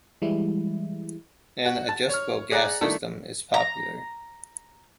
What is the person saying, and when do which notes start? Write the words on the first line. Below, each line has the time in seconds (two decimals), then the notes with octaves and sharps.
An adjustable gas system is popular.
0.22 E3 G3 G#3 E4
1.66 F#4
1.89 A5
2.09 C#5 F6
2.51 G#4 D5 F#5 A#5
2.81 D#3 A3 D4 E4
3.54 A#5